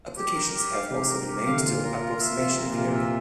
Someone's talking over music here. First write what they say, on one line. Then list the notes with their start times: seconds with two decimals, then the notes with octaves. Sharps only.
Applications have also been made to approximation theory.
0.17 G4
0.35 A#4
0.54 G4
0.72 F5
0.90 C3 G4
1.09 A#4
1.27 G4
1.46 D3 F5
1.57 C3
1.64 A#2 F4
1.83 A#4
2.02 F4
2.20 E5
2.38 C3 F4
2.57 A#4
2.62 C3
2.70 A#2
2.75 C3 F4
2.87 A#2
2.93 E5